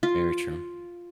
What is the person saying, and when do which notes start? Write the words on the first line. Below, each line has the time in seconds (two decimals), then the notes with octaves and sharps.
Very true.
0.03 F4